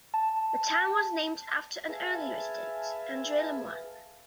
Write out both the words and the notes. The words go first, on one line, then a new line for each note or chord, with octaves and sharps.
The town was named after an early resident, Andre LeMoyne.
A5
G#4 B4 E5 F5 G#5 A5